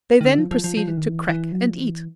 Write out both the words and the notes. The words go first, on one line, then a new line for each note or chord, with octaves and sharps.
They then proceeded to crack and eat.
D#3
D3
F3
F3
F3
F3
E3
D#3
E3
E3
F#3
F3
E3